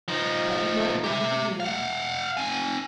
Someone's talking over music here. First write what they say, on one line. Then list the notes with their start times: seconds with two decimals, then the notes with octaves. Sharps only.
Button-Bright nodded again.
0.08 F3 D#4
1.04 G4 E5
1.60 F5 F#5
2.37 C4 G#5